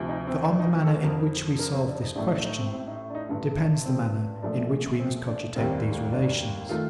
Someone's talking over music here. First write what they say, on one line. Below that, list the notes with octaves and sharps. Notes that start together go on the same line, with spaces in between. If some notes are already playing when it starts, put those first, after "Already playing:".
For, on the manner in which we solve this question depends the manner in which we must cogitate these relations.
Already playing: D2 C3 F3
D#4
C4
D4
D#4
F4
A4
F2 D3 F3 A#4
A#4
C4
D4
D#4
A1 A2 A3 D4
D4
D#4
C4
C4
D#4
D4
D#4
A1 G2 D3
D4
C4
A#1 A#2 F3 A3 D4
C4
D4
F1 D#2 D#3 G3 A#3 C4
D4
D#3 A3 F4